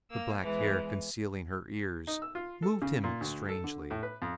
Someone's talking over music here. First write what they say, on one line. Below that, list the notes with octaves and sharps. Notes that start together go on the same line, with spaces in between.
The black hair concealing her ears moved him strangely.
A#3 E6
E2 E3 G#3
D#4
E6
F4
A4
C#3
A#2
D2
A4
D3
A2
B4
F2